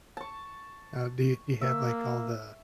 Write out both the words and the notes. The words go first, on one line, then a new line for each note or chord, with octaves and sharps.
Uh, do you do you have, like, all the,
A5 C#6
A#3 E5